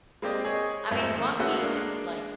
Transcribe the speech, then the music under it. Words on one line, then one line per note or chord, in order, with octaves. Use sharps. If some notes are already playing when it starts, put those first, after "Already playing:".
I mean, One Piece is, like
G#3 A#3 C4 G4 D5 D#5
G#4 C#5 D#5
F2 G#2 A3 A#3
D#3 A#3
G#3 A3 B3 C#4 F#4 A4
G#3 A#3 D4 A#4